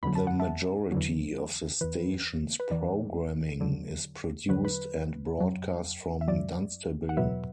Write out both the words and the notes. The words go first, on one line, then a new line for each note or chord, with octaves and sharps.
The majority of the station's programming is produced and broadcast from Dunstable.
E2 D3 F#3 B5
A5
F#5
E5 A5
E2 D3 F#3
E2 E3 B4
B4
E2 E3 D5
E2 D3 F#3
E2 D3 F#3 B4
B4
F#2 F#3
E5
F#2 F#3 D5
F#5
E2 B2 F#3 B4 E5